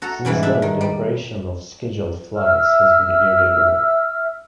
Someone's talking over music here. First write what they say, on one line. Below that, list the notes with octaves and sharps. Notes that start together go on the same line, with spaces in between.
Since then the operation of scheduled flights has been irregular.
F#4 A4 A#5
G#2 E3 G3 C#4
D4 E5
D#3
G3
E5 E6 F6